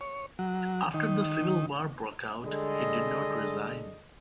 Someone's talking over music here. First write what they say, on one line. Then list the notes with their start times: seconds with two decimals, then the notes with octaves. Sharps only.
After the Civil War broke out, he did not resign.
0.01 C#5
0.39 F#3
0.94 D#3
2.44 D3 G3 G#3 A4 D#5